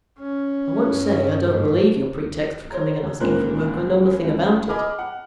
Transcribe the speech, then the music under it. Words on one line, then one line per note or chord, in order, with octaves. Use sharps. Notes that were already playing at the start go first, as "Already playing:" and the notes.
I won't say, I don't believe your pretext for coming and asking for work; I know nothing about it.
C#4
G2
G#2 B2
C5 C#5 A#5
C#2 A#2 D4 A#4 C5 F#6
C#2
G#4 D#5 G#5 B5 D6 F6
F#5